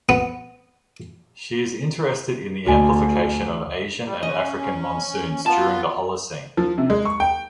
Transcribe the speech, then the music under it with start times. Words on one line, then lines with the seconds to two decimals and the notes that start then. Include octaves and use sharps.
She is interested in the amplification of Asian and African monsoons during the holocene.
0.09 B3
2.67 D2 F#4 G#5
4.05 G3
4.23 C#4 D#5
5.46 B3 F4 A5
6.57 F3
6.78 C3
6.90 G#3
7.05 C#6
7.20 G5